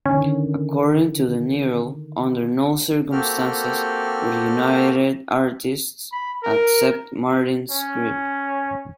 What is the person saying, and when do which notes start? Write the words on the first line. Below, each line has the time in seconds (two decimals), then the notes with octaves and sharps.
According to De Niro, under no circumstances would United Artists accept Martin's script.
0.06 D3 D#3 C#4
3.12 A#3 C4 F#4 G4 A4 F6
6.12 B5
6.43 A#4
7.71 C#4